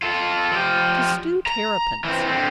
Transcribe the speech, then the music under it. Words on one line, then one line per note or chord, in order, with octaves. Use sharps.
To Stew Terrapins.
F4 A4
F3 G4
A#5
E3 C4
D3 C4